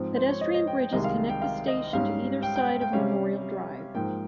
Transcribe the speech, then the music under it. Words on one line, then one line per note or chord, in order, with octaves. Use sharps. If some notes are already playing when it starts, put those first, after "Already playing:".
Pedestrian bridges connect the station to either side of Memorial Drive.
Already playing: G#2 F3 C4
C5
C#5
D#5
D#5
G5
G5
C2 C3 D#3 G#3 D#5
F5
G5
F5
D#5
G#2 G3 C#4 F5
G5
G5
G5
G5
C3 G3 C#4 F5
G#2 F3 A#3 G5